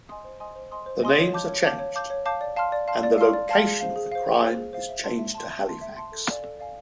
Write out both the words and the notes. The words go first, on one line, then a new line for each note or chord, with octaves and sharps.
The names are changed and the location of the crime is changed to Halifax.
D#5 G#5 C6 D#6
C5
D#5 G#5 C6 D#6
C5
D#5 G#5 C6 D#6
C5
D#5 G#5 C6 D#6
C#5
F5 A5 D6 G6
C#5
F5 A5 D6 G6
C#5
F5 A5 D6 G6
C#5
F5 A5 D6 G6
D5
F5 A5 C6 F6
D5
F5 A5 C6 F6
D5
F5 A5 C6 F6
D5
F5 A5 C6 F6
G#4
C5 F5
G#4
C5 F5
G#4
C5 F5
G#4
C5 F5
E5
A5 C6
E5
A5 C6
E5
A5 C6
E5
A5 C6
A4
D5 F5 G#5
A4
D5 F5 G#5